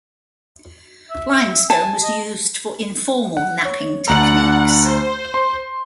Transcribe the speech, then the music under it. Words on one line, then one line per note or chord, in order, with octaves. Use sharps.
Limestone was used for informal knapping techniques.
E5
G#5 A5
D#5
F#5
C#5
D2 D4 F#5 A#5
C5
C6